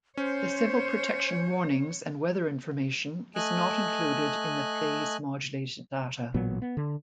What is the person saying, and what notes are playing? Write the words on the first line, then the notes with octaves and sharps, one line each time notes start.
The civil protection warnings and weather information is not included in the phase-modulated data.
C#4 C5 C#5
A3 D#5 G#5 F#6
A1 A#2 F#3 B3
B3
D3